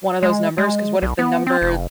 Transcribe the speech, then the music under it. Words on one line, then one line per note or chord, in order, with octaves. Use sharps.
one of those numbers, 'cause what if the number
G#3
G#3
B1
B3
C4
F1